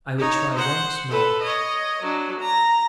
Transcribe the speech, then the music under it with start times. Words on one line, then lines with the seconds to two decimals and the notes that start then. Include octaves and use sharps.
I would try once more.
0.18 D#4 C#5
0.55 C5 F#5
1.09 A4 B4
1.42 C#5 D#5
2.02 F#3 D4
2.39 A#5